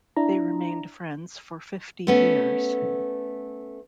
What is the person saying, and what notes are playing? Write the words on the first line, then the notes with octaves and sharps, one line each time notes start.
They remained friends for fifty years.
D4 E4 A#5
A3 B3 C#4